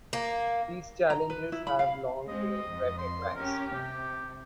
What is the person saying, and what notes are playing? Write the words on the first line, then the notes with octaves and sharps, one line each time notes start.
These challenges have long been recognized.
A#3
A#5
B4
E4
B5
F5
G#3 C4 D#5
F2
C6
C#4 G4 A#4
C3 G4